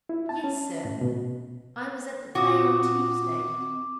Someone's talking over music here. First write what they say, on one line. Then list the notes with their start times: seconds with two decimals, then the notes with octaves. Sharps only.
"Yes, sir, I was at the play on Tuesday."
0.09 E4
0.29 A5
0.44 C#4
0.85 A2
1.01 B2
2.35 A#2 C4 F4 F#4 D6 D#6